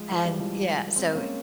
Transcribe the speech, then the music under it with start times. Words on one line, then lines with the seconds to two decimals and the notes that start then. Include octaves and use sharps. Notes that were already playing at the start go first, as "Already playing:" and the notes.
And yeah, so
Already playing: F3 G#3
0.11 F3
0.25 E3 G3
0.39 F3 G#3
0.96 G#3 C4
1.14 A#3 C#4